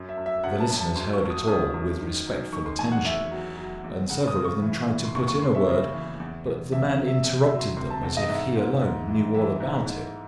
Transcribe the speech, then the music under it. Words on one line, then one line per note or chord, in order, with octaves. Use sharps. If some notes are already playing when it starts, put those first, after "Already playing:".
The listeners heard it all with respectful attention, and several of them tried to put in a word, but the man interrupted them, as if he alone knew all about it.
Already playing: F#2
E5
F#2
E5
F#2 F#5
A5
F#2
A5
F#2 C6
C#6
F#2
D#6
F#2 D#6
F#2
D#3
F#3
D#3 C#6
C6
E2 G#5
F#5
E2 E5
F#3
F#3
E2
C#3 F#5
D#6
C#3
C#6
E3
E3
C6
D#2 C#6
C#6
D#2 C6
E5
C#3 E5
E3
E2
E2
E2 E5
F#3
E5
C3
E5
F#3
C6
C3 C6
A5
E2
D#5
G#2 E5
G#2
G#2
E3
E3 E5
G#2
G#2